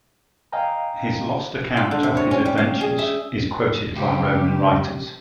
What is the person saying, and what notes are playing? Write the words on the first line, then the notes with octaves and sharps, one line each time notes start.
His lost account of his adventures is quoted by Roman writers.
D#5 F5 G5 G#5 A#5
F4
D3
C3
C#5
C#4
G3
F5
G#4
E5
C#2 G4